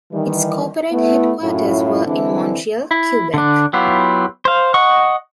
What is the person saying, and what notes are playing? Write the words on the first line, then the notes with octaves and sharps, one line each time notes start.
Its corporate headquarters were in Montreal, Quebec.
D#3 E3 G3
A3 B3 E4
F#2 A2 F#3 C#4 E4 F4
D3 E3 G#3 C4 D4 E4
E4
D3 D4
F#3 B3 E4 F4 G4
C5 F5
D#5 F#5 C#6